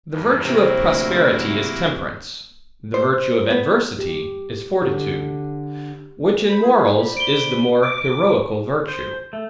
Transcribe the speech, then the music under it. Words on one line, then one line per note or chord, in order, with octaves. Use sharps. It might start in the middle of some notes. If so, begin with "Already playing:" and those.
The virtue of prosperity, is temperance; the virtue of adversity, is fortitude; which in morals is the more heroical virtue.
E2 G2
C3 F#3 A#3 E4
D2
C5
B3
G4
D3 G4
C5 B5
F4 G#4
C5 D5 B5
D7 G7
D6
C5
A3